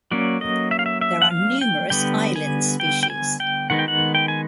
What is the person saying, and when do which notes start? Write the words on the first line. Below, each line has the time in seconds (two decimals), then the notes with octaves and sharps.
There are numerous island species.
0.11 F#3 A#3 C#4 D5
0.41 D#5
0.71 E5
0.79 F5
0.86 E5
1.01 E5
1.22 F#5
1.31 F5
1.61 G5
1.90 D3 G3 B3 G5
2.36 G#5
2.80 G5
3.03 G5
3.10 G#5
3.40 G5
3.70 D#3 G#3 B3 D#4 F#5
3.79 G5
3.88 F#5
4.15 G5
4.28 G#5